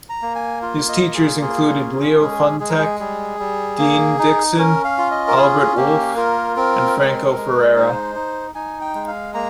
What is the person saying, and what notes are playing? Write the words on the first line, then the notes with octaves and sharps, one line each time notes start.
His teachers included Leo Funtek, Dean Dixon, Albert Wolff and Franco Ferrara.
A#5
A#3
G#5
F4
D#5
A#3
G#4
F4 G#4
C#4
G#3 G#4
G#3 G#4
A#4
G#4
G3 G#4
G3
A#3
D#4
C#4 A#4
F5
F4
D#5
A#4
C#4 G#4
A#3 G4
F4 A#4
C4 A#4
G#3
G#3
D#4 C5
D#4
D#4 G#5
G5
G#3
F5
A#3 A#5